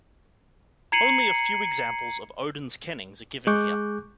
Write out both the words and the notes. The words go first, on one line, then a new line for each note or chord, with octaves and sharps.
Only a few examples of Odin's kennings are given here.
A#5 G#6 C7 C#7 D#7 F#7
G#3 G#4 C#6 D6 F#6 G6